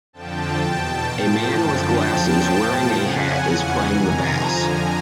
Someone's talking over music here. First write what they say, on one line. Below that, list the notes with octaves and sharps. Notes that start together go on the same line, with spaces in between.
A man with glasses wearing a hat is playing the bass.
F2 D3 F3 G5 A5
E2 B2 G5 A5
A2 F3
F#2 D3 F3
E2 C#3 F3 G5 A5
A2 F3
F2 C#3 F3 F#5 G#5
E2 C#3 E3
F2 C3 D#3 G#5 A#5
F2 D3 F3